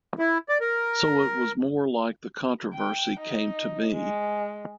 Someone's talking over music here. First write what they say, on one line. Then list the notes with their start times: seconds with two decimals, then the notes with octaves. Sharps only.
So it was more like the controversy came to me.
0.19 E4
0.49 D5
0.61 A#4
2.75 G5
3.20 D#4
3.94 G#3